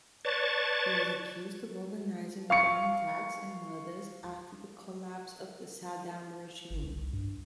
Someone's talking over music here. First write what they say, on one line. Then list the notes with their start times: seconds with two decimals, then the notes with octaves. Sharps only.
He was accused of organizing bomb attacks and murders after the collapse of the Saddam regime.
0.25 B4 C#5 D5 A5 C#6 A6
2.50 F5 C#6 C#7
6.70 G1
6.84 C2
7.13 G2